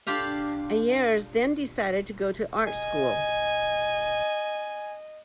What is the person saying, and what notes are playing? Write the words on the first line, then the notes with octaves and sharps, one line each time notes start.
Ayres then decided to go to art school.
D4 F4 G4 F5
D#5 G#5